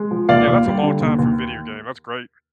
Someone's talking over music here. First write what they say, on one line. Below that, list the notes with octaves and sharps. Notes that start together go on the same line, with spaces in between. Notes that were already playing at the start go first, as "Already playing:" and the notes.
Yeah, that's a long time for a video game, that's great.
Already playing: G#3
F3
D#2 D5 F5
D#2
G3
D3
D#2
D#2